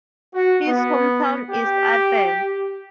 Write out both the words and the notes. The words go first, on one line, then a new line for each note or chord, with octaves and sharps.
His hometown is Athens.
F#4
B3
G4